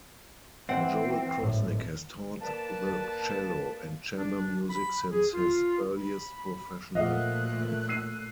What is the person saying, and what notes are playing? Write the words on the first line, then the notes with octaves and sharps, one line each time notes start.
Joel Krosnick has taught the cello and chamber music since his earliest professional life.
E3 C4 F#5
G#1 D2 A2
A#3 B4 D5 A5
D4
B5
G#4
F4
B5
A#2 F3 A3 D#5 F5 F#5 F#6
E6 C7 D#7